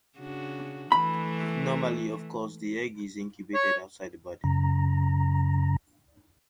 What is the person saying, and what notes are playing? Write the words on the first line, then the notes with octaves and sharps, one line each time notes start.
Normally, of course, the egg is incubated outside the body.
C#3 D4 F#4
E3 A3 B5
C#5
F#2 C#3 A#5